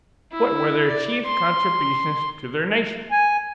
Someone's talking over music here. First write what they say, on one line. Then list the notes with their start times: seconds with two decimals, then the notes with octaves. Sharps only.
What were their chief contributions to their nation?
0.32 E4
0.88 D5
1.25 C6
3.11 G#5